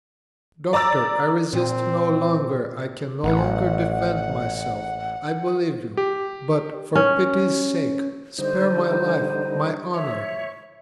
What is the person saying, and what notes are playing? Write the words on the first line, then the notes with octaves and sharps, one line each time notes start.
"Doctor, I resist no longer--I can no longer defend myself--I believe you; but, for pity's sake, spare my life, my honor!"
D5 A#5 D6 E6 A6
A#2 C4
A1 F#5
G4
C#4
D3 G3 D#4 C5
C#5 E5